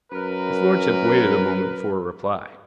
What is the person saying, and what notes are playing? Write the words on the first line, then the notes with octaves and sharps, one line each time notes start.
His lordship waited a moment for a reply.
F#2 A#4 B4